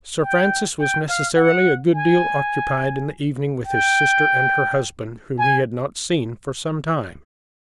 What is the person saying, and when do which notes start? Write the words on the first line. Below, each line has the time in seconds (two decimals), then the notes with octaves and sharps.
Sir Francis was necessarily a good deal occupied in the evening with his sister and her husband, whom he had not seen for some time.
0.22 G5
0.79 G5
1.09 F5
1.36 F#5
1.94 G#5
3.66 G5
5.38 G#5